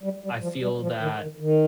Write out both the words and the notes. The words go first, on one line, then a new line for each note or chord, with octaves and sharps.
I feel that
G3
G3
F3
G3
F3
D#3
D#3
D#3